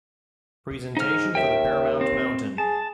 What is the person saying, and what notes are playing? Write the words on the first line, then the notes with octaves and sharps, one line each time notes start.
Presentation for the Paramount mountain.
G#2 D#4 F6
D#2 E5 G5
C4
G#4 A5